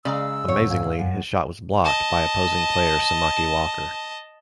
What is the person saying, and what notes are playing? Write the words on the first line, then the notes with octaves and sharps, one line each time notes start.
Amazingly, his shot was blocked by opposing player Samaki Walker.
C#3 G#3 D5 F5 A#5 E6
D2 G2 C3 C#5
G#2 F5 G#5
F#2
D#5 A5